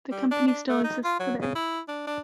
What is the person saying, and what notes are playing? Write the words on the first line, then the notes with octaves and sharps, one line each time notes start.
The company still exists today.
G3
D4
D4
A3
D#4
F4
F#3
C#3
E4
D4
D4